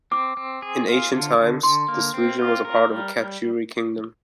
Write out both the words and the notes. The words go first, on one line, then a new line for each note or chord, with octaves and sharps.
In ancient times, this region was a part of the "Katyuri" kingdom.
C4 D6
C4
G#4
F4
D3
D3
D3 C6
A#3
C4
F4
A#4
G3